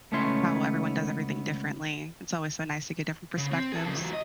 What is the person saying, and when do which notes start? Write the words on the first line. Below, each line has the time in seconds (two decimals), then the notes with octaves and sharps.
how everyone does everything differently. It's always so nice to get different perspectives.
0.12 C#2 A3 B3 C#4 E4 C6
3.37 C#3
3.52 C4
3.72 G#4 A4
3.85 A#2 C#3
3.98 E3 F#3
4.10 E2 D#5